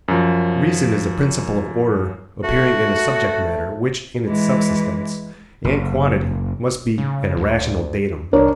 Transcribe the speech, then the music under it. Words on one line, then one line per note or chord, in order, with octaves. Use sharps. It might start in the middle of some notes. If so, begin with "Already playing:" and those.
Reason is a principle of order appearing in a subject-matter which in its subsistence and quantity must be an irrational datum.
F#2 F3
A3 F#4
E3 G#3
F#1
C#3
D2
C2 D4 A#4 C#5